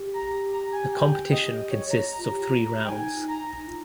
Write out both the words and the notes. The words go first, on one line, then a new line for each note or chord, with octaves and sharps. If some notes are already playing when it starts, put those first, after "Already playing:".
The competition consists of three rounds.
Already playing: G4
A#5
A#5
G#5
G5
G5
D#5
C#5
A#5
A#5
F4
G4
F4
G5
D#4 G#5
A#5
D#4
F4